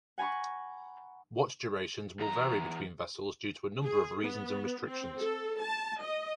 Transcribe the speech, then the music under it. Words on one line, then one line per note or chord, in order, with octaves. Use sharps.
Watch durations will vary between vessels due to a number of reasons and restrictions.
F#5 G#5 A#5 B5 C#6
E2 A#5
G#4
B3
C4
A4
A5
D#5